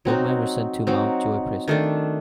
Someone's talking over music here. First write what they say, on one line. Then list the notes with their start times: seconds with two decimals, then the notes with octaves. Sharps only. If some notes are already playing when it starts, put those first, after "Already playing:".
Both men were sent to Mountjoy Prison.
0.05 F#3 C4 D#4 F#4
0.87 F#3 C4 D#4 F#4
1.68 D#3 A3 D4